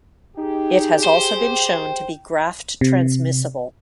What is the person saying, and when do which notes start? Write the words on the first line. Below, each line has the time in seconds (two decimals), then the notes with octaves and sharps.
It has also been shown to be graft-transmissible.
0.37 D#4 G4 G#4
1.05 C5 G5
2.81 C3